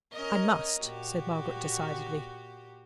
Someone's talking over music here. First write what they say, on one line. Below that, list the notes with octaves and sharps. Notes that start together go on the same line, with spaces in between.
'I must,' said Margaret, decidedly.
C#4 A#4 D#5
A#2 F#4 G4